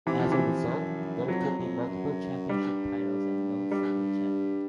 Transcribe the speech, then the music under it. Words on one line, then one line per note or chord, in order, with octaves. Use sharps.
As a result, there could be multiple championship titles and no single champion.
C3 E3
F3
E3
F#2
F2 F#3
F2
F#2
G2 G3
G3